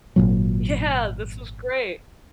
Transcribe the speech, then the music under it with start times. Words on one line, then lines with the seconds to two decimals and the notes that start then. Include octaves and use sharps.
Yeah, this was great
0.16 G#1 C#2 A#2 F#3